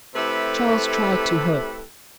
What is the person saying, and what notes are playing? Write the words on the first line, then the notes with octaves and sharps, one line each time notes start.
Charles tried to hope.
C3 A3 E4 G4 A4 B4